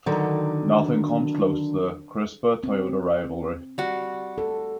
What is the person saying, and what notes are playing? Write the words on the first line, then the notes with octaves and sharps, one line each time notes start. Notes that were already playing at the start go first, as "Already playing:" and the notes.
Nothing comes close to the Crispa-Toyota Rivalry.
D3 D#3 F#3
C4
G3 F#4
A4